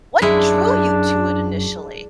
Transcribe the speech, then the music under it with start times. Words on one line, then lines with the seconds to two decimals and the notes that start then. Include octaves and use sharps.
what drew you to it initially?
0.22 F#2 G#3 D4 E4